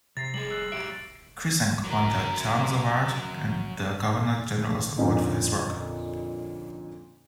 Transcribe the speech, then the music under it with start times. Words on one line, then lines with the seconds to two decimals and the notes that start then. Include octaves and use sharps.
Krizanc won the Chalmers Award and the Governor General's Award for his work.
0.17 C3 A#5 A6 A#6 C7
0.34 G3 G#4 F#7
0.50 E6 F#6 C7
0.72 F#3 G4 E5 D7
1.84 F#3 A#4
4.98 F2 A#2 D3 C#4 D#4